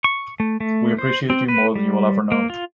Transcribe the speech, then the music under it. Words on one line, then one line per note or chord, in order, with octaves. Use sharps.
We appreciate you more than you will ever know.
C#6
A3
A3
C5
C4
B4
G3
A#3
F4